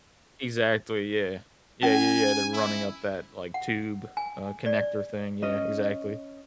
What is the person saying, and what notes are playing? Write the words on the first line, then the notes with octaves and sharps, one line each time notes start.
Exactly, yeah, yeah, yeah, yeah, they're running up that, like, tube, uh, connector thing, yeah, exactly,
C#4 G#5
E4
F#5
G#5
D5
C#4 D#5